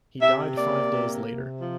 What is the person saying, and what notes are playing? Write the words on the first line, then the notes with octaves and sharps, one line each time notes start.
He died five days later.
C3 E5
A#3 D5
C3
C3
F3